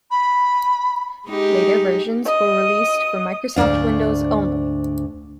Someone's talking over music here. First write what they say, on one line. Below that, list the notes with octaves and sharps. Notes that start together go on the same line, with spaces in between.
Later versions were released for Microsoft Windows only.
B5
G#3 D#4 G4
D#5 D#6
D2 G#2 B2 D4 F5